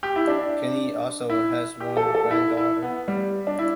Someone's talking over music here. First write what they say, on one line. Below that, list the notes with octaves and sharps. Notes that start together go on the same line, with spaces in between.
Kenny also has one granddaughter.
G4
E4
D4
E4
G4
A4
A4
E4
E4
B3
G3
D4
E4